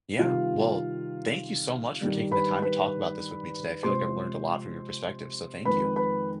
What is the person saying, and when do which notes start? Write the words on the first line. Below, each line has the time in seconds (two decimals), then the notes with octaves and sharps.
Yeah. Well, thank you so much for taking the time to talk about this with me today, I feel like I've learned a lot from your perspective, so thank you.
0.19 C3 D#3 G3 F4 F5
2.01 G2 D#3 G3
2.31 B4 B5
2.62 B4 B5
3.83 C3 F3 G#3 C5 C6
5.65 F2 D#3 G#3 B4 B5
5.96 B4 B5